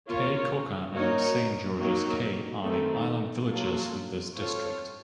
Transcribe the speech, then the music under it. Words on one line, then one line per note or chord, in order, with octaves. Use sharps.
Caye Caulker and Saint George's Caye are the island villages in this district.
A#3 F4 A#4 C#5
A#3 D#4 F#4 A#4 C#5
D#3 F#3 A#3
D#3 A3 C4 D#4
F#3 A#3 F4 A4
C4 F4 A4 C#5